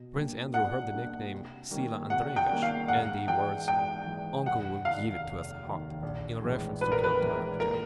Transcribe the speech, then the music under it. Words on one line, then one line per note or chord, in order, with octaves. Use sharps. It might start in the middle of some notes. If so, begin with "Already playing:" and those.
Prince Andrew heard the nickname "Sila Andreevich" and the words, "Uncle will give it to us hot," in reference to Count Arakcheev.
Already playing: B2
G3 A#3 D4
B2 F#5
G3 A#3 D4
C3
D#3 G3 A#3 C#4
C3 F#5
G5
D#3 G3 A#3 C#4
F5
G#2 F#5
E3 G#3 G5
G#2 G5
E3 G#3
F1 F#5
D#2 D#3 F5
F1
D#2 D#3
A#1
A2 E3 G#3
A#1 B4
A#4
B4
A2 E3 G#3
A#2 A#4